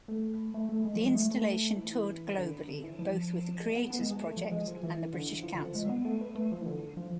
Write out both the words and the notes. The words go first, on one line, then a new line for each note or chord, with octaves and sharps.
The installation toured globally, both with The Creators Project and The British Council.
A3
A3
A3
G#3
F3
G#3
A3
A3
E3
D3
D3
E3
F3
G#3
B3
B3
G#3
G#3
A3
F3
G#3
F3
E3
D3
E3
F3
D3
F3
G#3
B3
A3
B3
A3
F3
E3
D3
F3